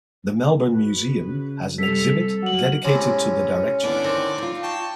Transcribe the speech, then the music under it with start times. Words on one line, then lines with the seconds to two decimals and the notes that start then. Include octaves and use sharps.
The Melbourne Museum has an exhibit dedicated to the directory.
0.74 B3 F#4 B4
1.22 C#3
1.78 C3 G3 A4 B6 F7
2.42 F#3 A#3 F#5 F#7
2.85 A2 C3 G#3 C#4
3.83 D3 B3 E4 D5
4.04 D#3 C4 D4
4.38 D#4 F4
4.63 G5 A5 C#6